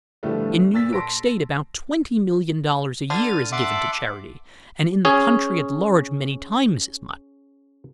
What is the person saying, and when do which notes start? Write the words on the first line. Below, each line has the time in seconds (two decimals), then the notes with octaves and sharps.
In New York state about twenty million dollars a year is given to charity, and in the country at large many times as much.
0.23 A2 D3 F3 G3 A3 B3
0.74 A#2 E6 A6 B6
0.93 A5 C6 A#6 D7
3.10 D3 F6 A6 D#7
3.52 E5 F#5 A5 C6 D6
5.05 C#4 G#4